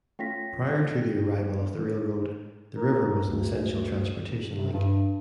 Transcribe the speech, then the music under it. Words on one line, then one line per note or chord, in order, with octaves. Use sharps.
Prior to the arrival of the railroad, the river was an essential transportation link.
A3 C#4 F4 G5 A#6 B6
A#4
D2
C3
G2